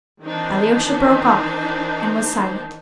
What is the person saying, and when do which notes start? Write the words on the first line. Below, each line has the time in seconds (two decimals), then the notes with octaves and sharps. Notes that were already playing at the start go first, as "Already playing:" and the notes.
Alyosha broke off and was silent.
0.22 D#3 E3 C4 D4 D#4 C5